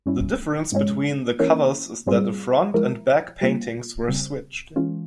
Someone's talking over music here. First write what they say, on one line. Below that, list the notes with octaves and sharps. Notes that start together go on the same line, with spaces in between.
The difference between the covers is that the front and back paintings were switched.
G2 G3 C#4 E4
G#2 F3 G#3 C#4
E3 A#3 C#4 E4
G#2 G3 C4 F4 G#4
F3 G#3 E4 A#4
G3 A#3 F4
C#3 G3 C4
E3 G#3 C#4 F4